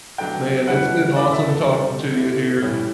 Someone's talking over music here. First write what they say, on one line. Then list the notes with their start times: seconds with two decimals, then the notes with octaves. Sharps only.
Man, it's been awesome talking to you here,
0.18 B2 F#3 A3 D4 G5
0.67 B2 G3 C#4 E4 F#5
1.15 E2 B2 A3 E4 D5
1.32 E5
1.49 A4
1.65 B2 G3 D4 A4
2.13 D3 A3 E4
2.62 A2 E3 G3 C#4 E4